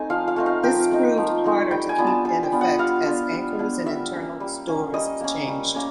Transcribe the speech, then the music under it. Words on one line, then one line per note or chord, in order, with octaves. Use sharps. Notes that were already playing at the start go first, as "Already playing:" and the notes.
This proved harder to keep in effect as anchors and internal stores changed.
Already playing: A3 C4 D#4 G#5
F3 F5
F5
A3 C4 D#4
F5
F3 G5
A3 C4 D#4
F3
A3 C4 D#4
G3 G5
G#5
B3 D4 F4
A5
G3 G#5
G5
B3 D4 F4
F#5
G3 F5
B3 D4 F4
G3
B3 D4 F4
G3 E5
A#3 C#4
G3
A#3 C#4
G3 D#5
A#3 C#4
G3
A#3 C#4